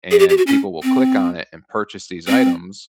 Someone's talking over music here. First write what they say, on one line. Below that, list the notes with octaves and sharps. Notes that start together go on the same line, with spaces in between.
and people will click on it and purchase these items
G#4
G4
G4
F#4
C#4
C4
C4